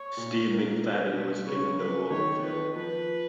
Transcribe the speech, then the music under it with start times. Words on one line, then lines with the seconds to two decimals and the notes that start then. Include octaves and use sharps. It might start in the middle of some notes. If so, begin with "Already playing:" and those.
Steve McFadden was given the role of Phil.
Already playing: C#5
0.17 A#2
0.27 B2
0.38 A#2
0.49 A#4
0.81 B2 B4
1.14 B4
1.46 C#3 C#5
1.78 B4
2.10 D#3 C#5
2.43 B4
2.75 F3 B4